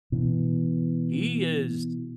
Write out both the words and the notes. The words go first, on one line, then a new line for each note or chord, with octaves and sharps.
he is
B2 E3